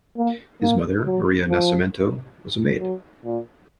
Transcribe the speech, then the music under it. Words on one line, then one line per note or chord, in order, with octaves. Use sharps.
His mother, Maria Nascimento, was a maid.
A#3
A#3
F#3
F3
F#3
A#2